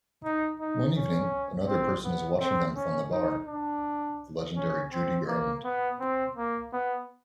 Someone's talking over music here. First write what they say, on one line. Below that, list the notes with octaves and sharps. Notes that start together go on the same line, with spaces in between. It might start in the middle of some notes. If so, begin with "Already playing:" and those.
One evening, another person is watching them from the bar: the legendary Judy Garland.
D#4
D#4
C#4
C4
B3
C4
C#4
D#4
D4
C#4
C4
A#3
B3
C4
A#3
B3